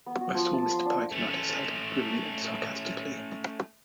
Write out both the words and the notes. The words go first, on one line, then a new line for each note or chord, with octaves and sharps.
I saw Mr Pike nod his head grimly and sarcastically.
B3
F#4
F3
A5
C6
D4
A3 C#4